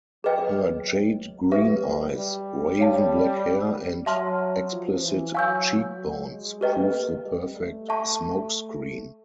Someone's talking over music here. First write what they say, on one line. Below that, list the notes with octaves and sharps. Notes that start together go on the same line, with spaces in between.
Her jade green eyes, raven black hair and "explicit cheekbones" prove the perfect smokescreen.
F#3 G#4 B4 D#5 G5
F#3 G4 B4 E5
G3
G3
C#5 F5 A5
F#3 E5 A5 C6 F6
F3
E3
F#3 F5 G#5 C#6 E6 G6
F#3
G#3
A3 G4 B4 D#5 G5
A#3
G3
A3
A3 E5 A5 C#6